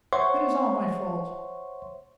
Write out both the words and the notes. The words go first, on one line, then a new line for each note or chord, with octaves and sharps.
It is all my fault.
C5 C#5 E5 F#5 C6 C#6